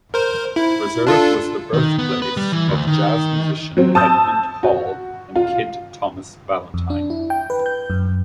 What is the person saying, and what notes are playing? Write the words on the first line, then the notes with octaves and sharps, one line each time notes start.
Reserve was the birthplace of jazz musicians Edmond Hall and Kid Thomas Valentine.
A#4 C5
E4
D4 F4 A4
D#3
B3
B4
G3
E3
D2
D#3
F#3 C4
A5 D#6 E6 G6
F#4
F4
F2
D4
E4
G5
B4
G6
F#2